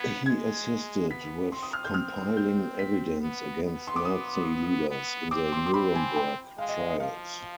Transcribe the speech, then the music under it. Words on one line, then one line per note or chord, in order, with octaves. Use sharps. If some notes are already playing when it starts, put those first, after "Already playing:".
He assisted with compiling evidence against Nazi leaders in the Nuremberg trials.
Already playing: B3 G#6 B6
G#3 G#6
B3 B6
C4 C6
D#6
F6
G6
F6
G6
B6
B3
B3
C6
D6
D#6
B3
C4 D6
C6
C6
C4 B5
G#5
G5
G#3 F5
D#5
D#5
D#5
F3 F5